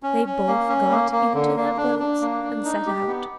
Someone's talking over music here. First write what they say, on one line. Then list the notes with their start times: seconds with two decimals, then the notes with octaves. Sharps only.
They both got into their boats and set out.
0.03 C#4
0.26 C#4
0.47 A#3
0.69 C#4
0.90 A#3
1.12 A#3
1.34 D3
1.56 A#3
1.77 D4
1.99 D4
2.21 A#3
2.43 D4
2.65 D#4
2.86 G4
3.08 B3